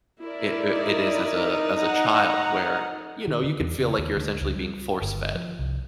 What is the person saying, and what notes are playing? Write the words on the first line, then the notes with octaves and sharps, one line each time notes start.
it it is as a as a child, where, you know, you could feel like you're essentially being force-fed
E4 A#4 D5
D#4
F#5 A#5
D#3
D3
E2
C#3
D#2
D2
C#2
G3
G1
F3
C2